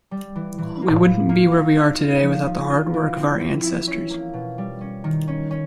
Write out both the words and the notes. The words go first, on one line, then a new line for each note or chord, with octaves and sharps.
We wouldn't be where we are today without the hard work of our ancestors.
G3
E3
E3
A#3
A2
A#3
D#4
D#4
F4
F3
F3
F4
E3
C4
E4
E4
C#4
A#3
B2
G3
C#4
D#3
C#4
C#4